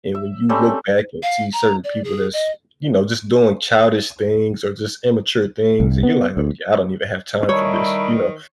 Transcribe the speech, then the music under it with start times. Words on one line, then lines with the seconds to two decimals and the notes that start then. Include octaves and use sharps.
and when you look back and see certain people that's, you know, just doing childish things or just immature things and you're, like, "Oh I don't even have time for this, you know?
0.15 E5
0.49 G3 A3 C4 C#4
1.23 F5
1.53 A#5
1.84 D5
2.04 G#4
2.33 D#5
5.80 C2
6.03 B3
6.37 D2
7.49 D#3 G3 A3 D#4 E4 C#5